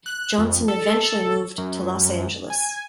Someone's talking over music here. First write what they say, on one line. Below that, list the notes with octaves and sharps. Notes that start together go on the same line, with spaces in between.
Johnson eventually moved to Los Angeles.
F#6
F2
A4
F#2
G#5